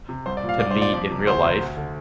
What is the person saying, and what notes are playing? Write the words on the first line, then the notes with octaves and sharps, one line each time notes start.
to meet in real life.
C3
C2 C5
D5
A#2
F5
C2 D5
C5
A#2
D5
F2 D5
C3
D2 C5
C3
D2
D3